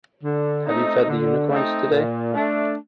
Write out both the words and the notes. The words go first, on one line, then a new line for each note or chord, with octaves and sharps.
Have you fed the unicorns today?
D3
A3 C4 D#4
D3
A3 C4 D#4
A#2
A3 D4